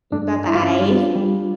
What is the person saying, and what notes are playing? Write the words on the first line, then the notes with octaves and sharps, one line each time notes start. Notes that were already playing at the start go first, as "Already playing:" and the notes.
M Bye-bye.
G2 D4
G2 E4
F4
C#4 E4
G3 D4 F4
G3